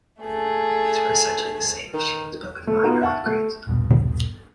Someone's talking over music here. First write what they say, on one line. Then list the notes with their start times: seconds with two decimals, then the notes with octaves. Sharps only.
These were essentially the same machines, but with minor upgrades.
0.21 A3 G#4
1.94 D#3
2.67 A3
2.83 B3 D#4 F4 F#4 A#4
3.01 E5 F#5 A5 C#6
3.26 A3
3.67 D#1 A#1 G2 B2